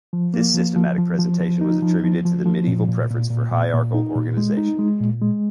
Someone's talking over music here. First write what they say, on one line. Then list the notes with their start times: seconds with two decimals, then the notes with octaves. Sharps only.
This systematic presentation was attributed to the Medieval preference for hierarchal organization.
0.13 F3
0.34 A#3
0.54 F3
0.76 F3
0.98 F3
1.18 F3
1.40 F3
1.61 D#4
1.82 F3
2.04 F3
2.25 F3
2.45 F3
2.67 A#2
2.88 A#2
3.10 A#2
3.31 A#2
3.52 A#2
3.74 A#2
3.95 D#4
4.16 A#2
4.37 G#3
4.57 D#4
4.79 G#3
5.00 A#2
5.21 G#3